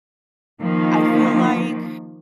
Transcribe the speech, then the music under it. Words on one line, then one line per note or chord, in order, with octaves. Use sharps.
I feel like
D#3 F3 A#3